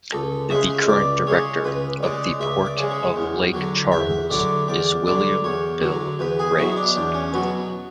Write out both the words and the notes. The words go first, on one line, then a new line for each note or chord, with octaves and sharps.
The current director of the Port of Lake Charles is William "Bill" Rase.
C#2 A4
C#3 G#3 E5
C#2 D5
C#3 G#3 C#5
C#2 B4
C#3 G#3 D5
C#2 E5
D5
C#3 G#3
C#5
E2
D3 F#3
E2 E5
D3 F#3 D5
E2 D5
D3 F#3 D5
E2 C#5
D3 F#3
E2 B4
G#4
B2 F#3 E4
D4
E2 D4
C#4
B2 F#3 B3